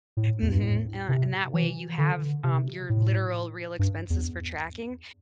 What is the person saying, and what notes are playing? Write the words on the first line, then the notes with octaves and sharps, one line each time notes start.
Mhm, uh, and that way, you have, um, your literal real expenses for tracking.
A2
E2
G2
A2
C3
E3
D3
C3
A2
G2
E2